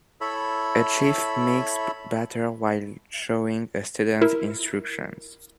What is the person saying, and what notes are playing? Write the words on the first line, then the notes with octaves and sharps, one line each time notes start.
A chef mixes batter while showing a student instructions.
E4 A4 C#5 E5 B5
E4 A#4